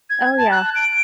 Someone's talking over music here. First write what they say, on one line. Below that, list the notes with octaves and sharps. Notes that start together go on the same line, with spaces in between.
Oh, yeah.
G#6
A5
F#6
D7